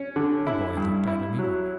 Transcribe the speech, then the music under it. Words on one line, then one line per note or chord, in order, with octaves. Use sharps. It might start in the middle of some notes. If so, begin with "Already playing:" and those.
The boy looked at him eagerly.
Already playing: C#4
D3
E4
G2
E4
F#3